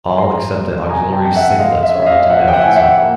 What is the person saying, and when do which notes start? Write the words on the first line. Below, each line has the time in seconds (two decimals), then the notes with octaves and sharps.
All except the auxiliary "Seydlitz" were hunted down and sunk.
0.18 F3 A#5 C6
0.54 G#3
0.89 C3 G#5 A#5
1.12 G5 A5
1.24 F2 G5
1.35 E5 F#5
1.59 G#3 D#5 F5
1.83 E5
1.95 C#4
2.02 E5
2.06 D#5 F5
2.30 F3 E5 F#5
2.48 G5
2.53 E5 F#5
2.61 G#5
2.65 A2 G5
2.76 E5 F#5
3.00 A#3